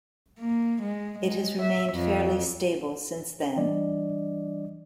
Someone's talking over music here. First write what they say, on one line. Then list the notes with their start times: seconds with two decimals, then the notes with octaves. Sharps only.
It has remained fairly stable since then.
0.40 A#3
0.82 G#3
1.19 G#3
1.62 E5
1.93 F2
3.56 E3 G3 D4 D5 D#5